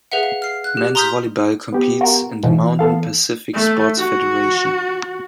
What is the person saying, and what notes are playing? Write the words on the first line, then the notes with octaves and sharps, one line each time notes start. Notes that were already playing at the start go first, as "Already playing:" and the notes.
Men's Volleyball competes in the Mountain Pacific Sports Federation.
G#4 B4 E5 F#5
F5
F6 C7
F#6
G4
A#5 C6 D#6 F6 G6 B6
B3 G4
F4 F#4 A#4
B2 E3 F3
B3 A4 F5
A3
F#4